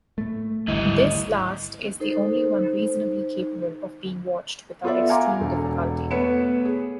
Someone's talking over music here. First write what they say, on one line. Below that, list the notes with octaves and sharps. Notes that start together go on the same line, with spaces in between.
This last is the only one reasonably capable of being watched without extreme difficulty.
A2 A3
G#1 D2 G3 E4 D#5
D#4 A4 C5
B3 F4 A4 D5 E5
F5 F#5 G#5 A#5 C6 D6
E1 A4
A3 B3 B4 C#5 C#7 E7
G#4